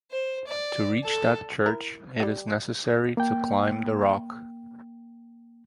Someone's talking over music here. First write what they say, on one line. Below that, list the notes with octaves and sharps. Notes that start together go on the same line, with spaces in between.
To reach that church it is necessary to climb the rock.
C5
D5
A4
E4 A#4
G3 G4
A#3 G5